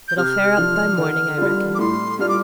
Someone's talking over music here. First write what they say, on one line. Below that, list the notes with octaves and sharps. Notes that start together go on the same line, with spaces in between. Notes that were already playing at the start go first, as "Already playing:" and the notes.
It'll fair up by morning, I reckon.
G6
C3 F6
F3 D4 F4
D3
G3 D4 F4
D6
A2 C6
G3 D4 F4 F6
D6